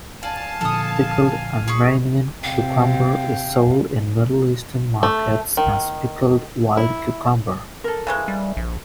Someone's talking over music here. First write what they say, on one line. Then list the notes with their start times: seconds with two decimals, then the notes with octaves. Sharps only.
Pickled Armenian cucumber is sold in Middle Eastern markets as "Pickled Wild Cucumber".
0.23 D5 F5 G#5 A5
0.61 A#2 D3 F3 A4 D#6
1.68 G#4 B5 C#6
2.43 C3 F5 G5
5.03 A3
5.57 D#3
6.77 E4
7.84 A4 A#4
8.07 C#3 E3 G#3
8.28 G3
8.57 A#1